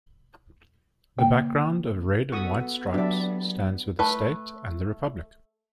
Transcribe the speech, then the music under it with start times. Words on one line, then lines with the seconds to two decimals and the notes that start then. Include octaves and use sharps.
The background of red and white stripes stands for the state and the republic.
1.19 C#3 A#3 G5
2.32 B3 F#4 A4 B5 C#6 D#6
2.94 F#3 G3 D4 E5 D6
3.99 A3 B4